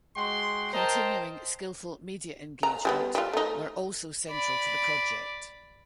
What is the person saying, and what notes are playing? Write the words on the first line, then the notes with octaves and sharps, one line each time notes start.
Continuing skilful media engagement were also central to the project.
G#3 F#4 G5 C6
A#4 C5 D#5 G5 A5 A#5
A#5
G3 G#3 B3
G3 F4
A3 D#4
D5 B5